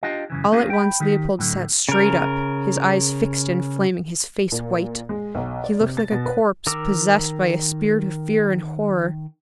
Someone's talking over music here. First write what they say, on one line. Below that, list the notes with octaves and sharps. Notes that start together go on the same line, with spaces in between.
All at once Leopold sat straight up, his eyes fixed and flaming, his face white: he looked like a corpse possessed by a spirit of fear and horror.
D4 F4 G4 D#5
F#2 C#3 E3
A3 C#4 F#4 G#4 F5
G5 B5
D#3 D#4 G4
A2 D3 D#3 F#3
C#3 A#4
A#2
G#3
B1
D5
C3
A6
B2
B4
D#3 A#4 D6 E6